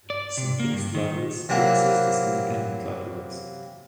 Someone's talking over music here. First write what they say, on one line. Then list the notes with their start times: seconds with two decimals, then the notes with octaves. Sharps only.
Some Boost libraries coexist as independent libraries.
0.10 D5
0.37 C3
0.60 A#3
0.73 G2
0.95 D#3
1.49 C3 E3 F#3 A#3